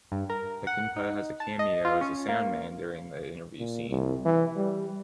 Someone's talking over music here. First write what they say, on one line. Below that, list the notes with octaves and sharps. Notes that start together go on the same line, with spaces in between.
Peckinpah has a cameo as a sound man during an interview scene.
G2
A#4
F#5
D#4
A5
D#5
F4
C#4
A#3
A#2
C2
E3
G3